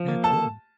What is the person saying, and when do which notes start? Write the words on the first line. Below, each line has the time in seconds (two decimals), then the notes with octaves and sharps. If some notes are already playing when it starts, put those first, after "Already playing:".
Yeah, cool.
Already playing: F3
0.08 A#3
0.24 A4 A5